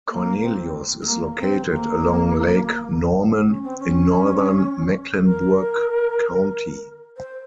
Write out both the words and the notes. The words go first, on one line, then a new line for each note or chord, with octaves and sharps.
Cornelius is located along Lake Norman in northern Mecklenburg County.
A#3
C4
G#3
A#3
C4
A#3
C#4
C4
C#4
A#4
C5